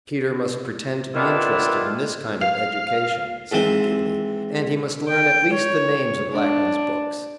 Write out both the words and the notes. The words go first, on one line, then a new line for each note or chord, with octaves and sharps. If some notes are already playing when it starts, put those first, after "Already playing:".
Peter must pretend to be interested in this kind of "education," said McGivney, and he must learn at least the names of Lackman's books.
D#3 G3 B3 D4 E4 F4
F5
G#2 E3 C4
G5
C#5
D4